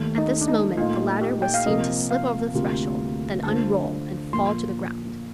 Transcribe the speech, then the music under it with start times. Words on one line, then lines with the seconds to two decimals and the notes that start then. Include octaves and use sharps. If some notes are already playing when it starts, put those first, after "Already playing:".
At this moment the ladder was seen to slip over the threshold, then unroll and fall to the ground.
Already playing: D#2 D#3 A3
0.18 D#4
0.41 D4
0.48 D#4
0.77 A#2 A3 D#4 F4
1.21 G4
1.42 G5
1.54 F5
1.66 C3 F3 A#3 D#5
2.11 F5
2.54 D2 C3 G3 A#3 F4
3.44 D3 A3 D4 F4 C5 A5
4.33 A#2 F3 A#3 C6